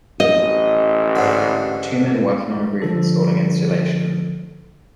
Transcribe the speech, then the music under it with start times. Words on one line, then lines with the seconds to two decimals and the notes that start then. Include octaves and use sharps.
Two men working on a roof installing insulation.
0.20 A1 D#5
1.16 G#2 D3
2.82 D3 F3 A4